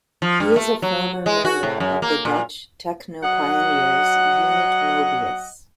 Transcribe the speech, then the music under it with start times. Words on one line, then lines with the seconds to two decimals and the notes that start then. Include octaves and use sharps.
He is a former member of the Dutch techno-pioneers Unit Moebius.
0.22 F3
0.40 G2
0.56 A3
0.82 F#3
1.26 G#3
1.45 F#4
1.63 A2
1.80 F#2
2.02 A#3
2.25 A#2
3.23 F#3 D#5 F#5